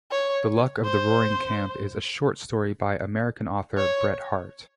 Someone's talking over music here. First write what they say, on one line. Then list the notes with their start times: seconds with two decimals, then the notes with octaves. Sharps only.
"The Luck of Roaring Camp" is a short story by American author Bret Harte.
0.12 C#5
0.85 C5
3.78 C#5